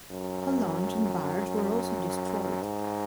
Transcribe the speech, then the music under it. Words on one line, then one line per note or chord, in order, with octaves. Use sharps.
Her launch and barge were also destroyed.
F#2
G#2